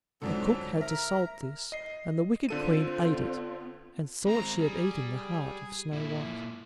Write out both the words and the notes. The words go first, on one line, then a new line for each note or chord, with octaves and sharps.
The cook had to salt this, and the wicked Queen ate it, and thought she had eaten the heart of Snow-white.
F2 G#2 D3 F#3 A4
A#4 E5 A#5
D#5 C7
D3 C4 F4 A4 D#7
G#3 C4 A#5
G3 G#4
G#4
A#2 E4